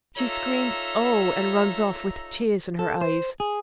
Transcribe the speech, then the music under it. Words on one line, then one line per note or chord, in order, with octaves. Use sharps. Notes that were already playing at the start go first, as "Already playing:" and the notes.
She screams 'Oh!' and runs off with tears in her eyes.
D#4 F4 A4 C#5 E5 A#5
A4
C5
G#4